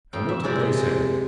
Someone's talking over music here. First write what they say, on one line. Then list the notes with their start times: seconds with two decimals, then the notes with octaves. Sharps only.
'And what did they say?'
0.13 F2 G5
0.29 E5
0.43 C3 E3 G#3 C4 D5
0.59 D#5